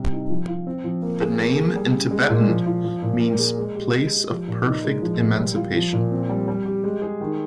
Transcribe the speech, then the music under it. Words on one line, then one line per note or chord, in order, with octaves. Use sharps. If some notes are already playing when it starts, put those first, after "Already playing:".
The name in Tibetan means "Place of Perfect Emancipation".
Already playing: C3 G3
D#4
F3
F4
C4
F3
A#3
G#4
A#3
G#4
G3
C#3
G#3
A#2
F3
F4
F3
A#2
A#3
G#4
G#3
G4
G#3
G4
F3
A#2
D#4
G#3
F3
A#2
G3
F4
F3
A#2
C4
G3
G3
G4
G#3
G#4
D#3